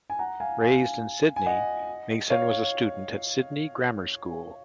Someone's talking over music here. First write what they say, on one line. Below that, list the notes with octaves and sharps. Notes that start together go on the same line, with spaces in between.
Raised in Sydney, Mason was a student at Sydney Grammar School.
G#5
F#5 A#5
F5 G#5
F5 G#5
G#5
D#5 F#5
C#5 F5